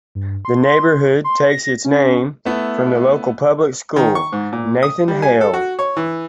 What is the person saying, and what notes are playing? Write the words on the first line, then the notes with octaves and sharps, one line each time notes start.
The neighborhood takes its name from the local public school, Nathan Hale.
G2
C6
C6
A#6
C#4
A3 B3 E4
D#3
C#6
G#2
A#2
D#6
G3
G#5
A4
F#4
C#5
E3